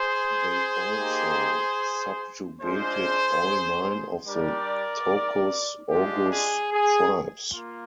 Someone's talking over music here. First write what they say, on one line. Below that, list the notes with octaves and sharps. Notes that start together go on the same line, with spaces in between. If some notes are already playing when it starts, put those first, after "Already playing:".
They also subjugated all nine of the Tokuz Oguz tribes.
Already playing: G#4 C5
A#3 D#4 G4
G#3 D4 F4 G#4 C5
G3 D4 G4 A#4 D5
G#3 D4 F4 G4
G#4
G#4
A#3 F4